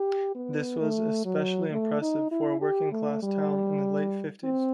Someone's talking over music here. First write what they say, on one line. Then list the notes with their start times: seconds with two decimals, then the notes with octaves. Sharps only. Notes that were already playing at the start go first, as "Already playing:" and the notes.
This was especially impressive for a working class town in the late fifties.
Already playing: G4
0.35 B3
0.80 A3
1.25 F#3
1.72 A3
2.01 D#4
2.32 E4
2.62 G4
2.92 A3
3.23 G3
4.44 C4